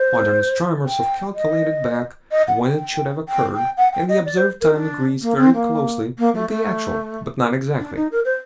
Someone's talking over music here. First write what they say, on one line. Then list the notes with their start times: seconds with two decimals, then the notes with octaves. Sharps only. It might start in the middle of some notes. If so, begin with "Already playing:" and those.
Modern astronomers have calculated back when it should have occurred, and the observed time agrees very closely with the actual, but not exactly.
Already playing: C5
0.86 G5
1.35 D#5
2.31 D#5
2.48 F#5
2.64 G5
3.29 G5
3.55 G5
3.77 F#5
3.93 G5
4.09 D#5
4.25 D5
4.37 C5
4.61 A#4
4.73 D4
5.22 A#3
5.38 C4
5.54 A#3
6.18 A#3
6.35 A3
6.50 A3
7.80 D4
7.96 D#4
8.12 A#4
8.25 C5